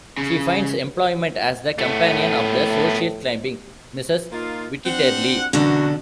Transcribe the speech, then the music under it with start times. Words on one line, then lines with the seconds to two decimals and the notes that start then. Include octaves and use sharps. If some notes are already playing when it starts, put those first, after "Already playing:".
She finds employment as the companion of the social-climbing Mrs Wittiterly.
0.18 C#3
1.78 A2 A3 B3
4.32 A#3 D#4 F4
4.85 C4 D4 F#5
5.53 F#2 B2 D3 E3 D4 F#4